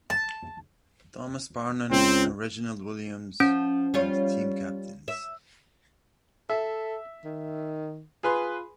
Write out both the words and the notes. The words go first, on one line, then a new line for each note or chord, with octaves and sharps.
Thomas Parnon and Reginald Williams were the team captains.
A5
C#2 C4
F3 C#4
G3 F4 C#5
E5
A4 E5
D#3
F4 G#4 B4 C6